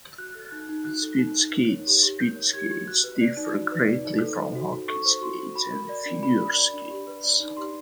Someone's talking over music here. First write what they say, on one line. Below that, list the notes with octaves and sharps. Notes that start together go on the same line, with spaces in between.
Speed skates Speed skates differ greatly from hockey skates and figure skates.
F#4 F#6
A4
D#4 F#6
D#4
F#4 F#6
A4
D#4
D#4
A#4
C#5
G4
G4
A#4 G6
C#5
G4 G#6
G4
F#4 F#6
B4
D5
D#4
F#4
B4
D5
D#4
A4
C5
F#4
F#4
A4 C#6
C5
F#4 C6
F#4
F#4 B5
A#4
D5
D4
F#4 B5
A#4
D5
D4
G4
B4
D5
D#4
G4 C6